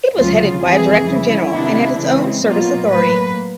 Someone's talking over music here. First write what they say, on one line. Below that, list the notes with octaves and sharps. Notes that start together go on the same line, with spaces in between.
It was headed by a Director-General and had its own service authority.
D2 C#3 F#3 F4
F2 C3 E3 G#3 C4 G#4
C#3 E3 G3 E4
C3 D#3 G#3 B3 D4
C#3 E3 G#3 C4
B2 F#3 A#3 F4
A2 F#3 A#3 B4